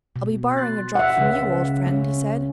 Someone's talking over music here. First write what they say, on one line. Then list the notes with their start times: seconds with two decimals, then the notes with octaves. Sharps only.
"I'll be borrowing a drop from you, old friend," he said.
0.16 B2
0.57 C6 F#6 A6
0.95 E5 F#5
1.17 C#2 E7
1.87 C#4